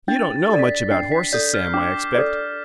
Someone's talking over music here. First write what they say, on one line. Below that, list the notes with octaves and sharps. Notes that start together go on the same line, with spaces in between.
You don't know much about horses, Sam, I expect.
D4 A6
A6
A4 D5
B6
A6
D4 C7
B6
A4 D5 G6
F6
D4 D6
A4 D5